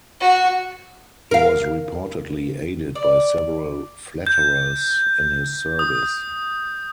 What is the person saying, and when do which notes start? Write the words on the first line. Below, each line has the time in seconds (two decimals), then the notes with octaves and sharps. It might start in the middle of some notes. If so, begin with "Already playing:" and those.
He was reportedly aided by several flatterers in his service.
0.20 F#4
1.31 A#4 F5
2.95 D5
4.27 G6
5.79 D#6